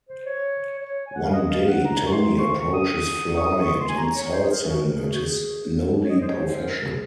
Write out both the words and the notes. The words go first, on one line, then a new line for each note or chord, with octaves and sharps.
One day, Tony approaches Fly and insults him and his lowly profession.
C5
C#5
C#5
G#5
F#5
F5
D#5
F5
F#5
A#5
C#6
C6
C#6
C#6
D#6
C#6
D#6
C#6
C6
G#5
A#5
C#5
C5
G#4
A#4
G#4
F#4
A#4
G#4
F#4
G#4
C#5
D#5
C5
C#5
C5
A#4
F#4
G#4